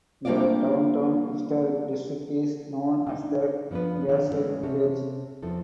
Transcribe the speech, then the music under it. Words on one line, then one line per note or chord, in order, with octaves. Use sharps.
The downtown historic district is known as the Gaslight Village.
G3 A3 A#3 D4 F4 D5
D4 D#4
F3 B3 D4 F4 B4
D#3 B3 D4 E4
E3 G#3 A3 C#4 G#4
C3 C#4 A4
E2 E3 F3 A4